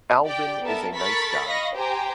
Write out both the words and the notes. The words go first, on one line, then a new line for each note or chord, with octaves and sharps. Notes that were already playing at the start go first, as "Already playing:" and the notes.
Alvyn is a nice guy.
G4 D5 G5
B3 A4 A#4 E5 A5
A4 A#4 B5 C#6 A6 B6
D#5 F5 B5 C#6 A#6
G4 C5 G5 G#5 A#5